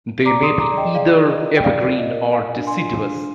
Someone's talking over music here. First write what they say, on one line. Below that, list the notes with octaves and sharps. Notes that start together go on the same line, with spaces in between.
They may be either evergreen or deciduous.
D5 A#5 D6
C6 D#6
G#4
A#5 D6
D5
D#5 G5
G#4 D5 F5
G#4
D#5
F4
G5
D5 F5
F4
D#5
A#4
A#4 F5 G#5
D4
G#5 C6
F4
D4